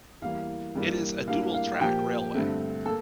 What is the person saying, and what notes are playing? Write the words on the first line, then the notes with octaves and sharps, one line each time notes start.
It is a dual-track railway.
E2 E3 G3 A#3 F5
G2 E3 G3 A#3
A2 G3 A#3 D4 F5
F5
A#2 F3 A#3 G4 G5
G2 D3 A3 C4
A#3 A4